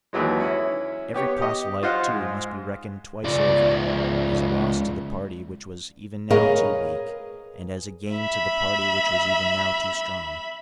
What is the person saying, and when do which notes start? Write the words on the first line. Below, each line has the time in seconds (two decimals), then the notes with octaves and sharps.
Every proselyte too must be reckoned twice over, as a loss to the party which was even now too weak, and as a gain to the party which was even now too strong.
0.13 D#2 D#3 E3 F#3 G#3
0.40 C#4 E4
1.14 B3 G4 C#5
1.38 G4 D#5
1.83 F4 C5 D#5 F5 F#5
2.09 G#2
3.25 C#2 D5
6.30 G#4 A#4 B4 C#5 D#5 F5
8.13 E5 B5